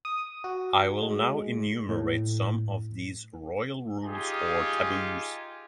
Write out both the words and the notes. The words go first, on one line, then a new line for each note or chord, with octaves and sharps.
I will now enumerate some of these royal rules or taboos.
D#6
F#4
G#3
A2
D#4 F4 G4 G#4 G#5